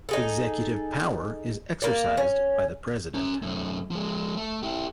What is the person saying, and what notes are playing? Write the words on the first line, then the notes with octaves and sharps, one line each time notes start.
Executive power is exercised by the president.
D#4 G#4 A4
A#3 D5
C#4
C#4 A#5
F#2 A3
F3 G#3
A3
E4 G4